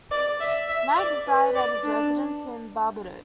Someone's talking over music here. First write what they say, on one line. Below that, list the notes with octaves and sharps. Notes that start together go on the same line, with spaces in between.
Knaggs died at his residence in Barbados.
D5
E5
E5
D5
B4
D5
D4